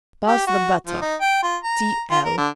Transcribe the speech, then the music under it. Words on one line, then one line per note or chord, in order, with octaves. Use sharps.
Pass the butter. T.l.
G4
F#4
F3
D#4
G5
F4
A#5
F4
A#4
D3